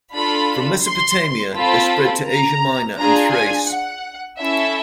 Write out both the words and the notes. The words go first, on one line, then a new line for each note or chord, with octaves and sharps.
From Mesopotamia they spread to Asia Minor and Thrace.
D4 F4 A4 B5
C6
C4 F4 A4 B5
A#5
D4 F4 G#4 A#5
G#5
F#5
C#4 E4 A4 E5